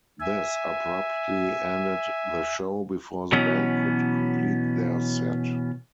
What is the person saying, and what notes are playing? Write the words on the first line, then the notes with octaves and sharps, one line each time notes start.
This abruptly ended the show before the band could complete their set.
E5 G#5
B2 E3 F#3 B3 C#4